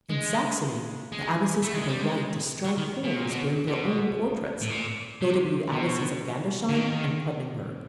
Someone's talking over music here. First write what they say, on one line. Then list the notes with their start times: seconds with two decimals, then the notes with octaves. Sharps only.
In Saxony, the abbesses had the right to strike coins bearing their own portraits, notably the abbesses of Gandersheim and Quedlinburg.
0.09 G#3
1.12 G#3
1.62 A3
1.75 G#3
1.88 G3
2.00 G#3
2.65 F#3
2.78 D#3
3.04 B2
3.16 A#2
3.30 B2
3.67 B2
4.62 A2
4.70 A#2
5.21 C3
5.72 B2
6.69 D3
6.74 D#3